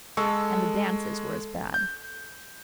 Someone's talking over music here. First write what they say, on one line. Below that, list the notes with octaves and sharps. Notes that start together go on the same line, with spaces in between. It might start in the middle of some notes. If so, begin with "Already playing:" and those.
And the dances were as bad.
G#3 A4 C#6
G6